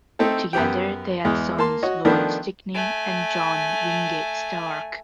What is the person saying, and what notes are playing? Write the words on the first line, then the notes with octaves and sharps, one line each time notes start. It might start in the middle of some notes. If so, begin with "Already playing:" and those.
Together they had sons Lloyd Stickney and John Wingate Stark.
A3 C4 D#4 A4
F#2 B3 G4 G5
E2 G#3
A#3 A5 C6
F#4 C#5 D#5
D#3 F3 A3 B3 D4
A3 G#5